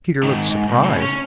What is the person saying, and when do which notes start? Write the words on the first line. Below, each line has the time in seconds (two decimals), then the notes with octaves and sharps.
Peter looked surprised.
0.23 G#2 D#3
0.50 G#2
0.68 C2
0.84 A2 C#3
1.02 C#4